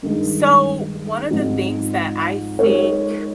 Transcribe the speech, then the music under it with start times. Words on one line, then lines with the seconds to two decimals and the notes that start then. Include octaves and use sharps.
So, one of the things that I think,
0.03 G2 D#3 G#3
1.31 G#2 F3 C4 D#4
2.59 G#3 D#4 A#4 C#5